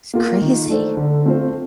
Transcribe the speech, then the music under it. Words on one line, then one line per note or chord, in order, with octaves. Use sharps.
it's crazy.
A#3 F4 A#4
D#3
A3 D4 A4 C5
D3
A3 C4 F4 C5